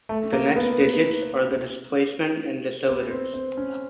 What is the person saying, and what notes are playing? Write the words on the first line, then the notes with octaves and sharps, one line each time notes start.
The next digits are the displacement in deciliters.
A3
A#3
B3
B3
B3
C4
C4
C#4